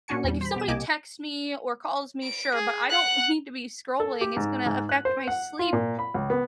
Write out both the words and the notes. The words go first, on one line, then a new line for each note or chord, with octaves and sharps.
like, if somebody texts me or calls me, sure, but I don't need to be scrolling, it's gonna to affect my sleep
A#2 C#4 D4 F#4 G#5 C#7
E2 G3
C5 B5
B2 G4 E7
C2 A#3 G4 D#5 G#5 D6
D7
G#4
F#5 F#6
A4
G4
G#2
G#2
F#6
C5
F#5
F4
A#2
B5
C#2
B3